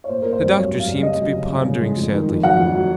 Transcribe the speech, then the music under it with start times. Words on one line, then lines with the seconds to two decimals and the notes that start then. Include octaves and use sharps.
The doctor seemed to be pondering sadly.
0.04 C#5
0.09 A#2 C5
0.22 A#2 A#4
0.33 C5
0.40 C2
0.56 F#3 C#5
0.71 F#3
0.79 F5
0.87 C2
1.03 C#3 D#5
1.19 F#2
1.34 C#3
1.50 C#3
1.65 C#3
1.81 G#3
1.96 F2
2.12 D#3
2.28 F2
2.43 F#3 F#5
2.59 F2
2.75 F#3